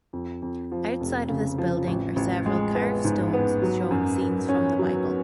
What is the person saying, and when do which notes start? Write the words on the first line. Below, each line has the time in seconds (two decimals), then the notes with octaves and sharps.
Outside of this building are several carved stones showing scenes from the Bible.
0.13 F2
0.42 F2
0.72 F3
1.01 F1
1.29 C#3
1.58 F3
1.87 A1
2.16 A1
2.46 G#3
2.75 B3
3.04 G#2
3.33 B3
3.62 F#3
3.91 F#2
4.21 F#2
4.49 C#4
4.79 F#3